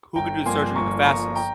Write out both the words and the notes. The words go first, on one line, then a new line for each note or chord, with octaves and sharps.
who could do surgery the fastest?
G1 G5 A#5
G2 F3 A#3 G#5 C6
G1 A#5 C#6
G2 F3 A#3 A#5 C#6
G5 A#5